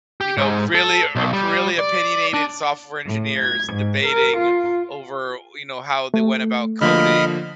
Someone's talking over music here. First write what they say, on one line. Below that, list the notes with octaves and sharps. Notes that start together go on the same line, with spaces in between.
you know, really op really opinionated software engineers debating over, you know, how they went about coding
G4
G#2
A4
B1
G3
D5
D4
A2
G#6
G#2
A#4
F4
A3
D3 F3 A#3 D#5 B5 F6